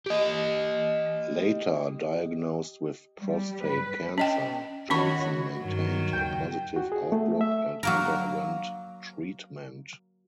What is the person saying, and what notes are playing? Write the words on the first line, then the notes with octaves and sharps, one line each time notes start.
Later diagnosed with prostate cancer, Johnson maintained a positive outlook and underwent treatment.
G4 D#5
G3
B4
C#4 D#5 G5
D#3 C#4 F#4 C#5 B5 C#6
G2 D#3 F#3
D#2 C#3 G5
F#4
G#4
A3
E5
F#3 A#3 A#4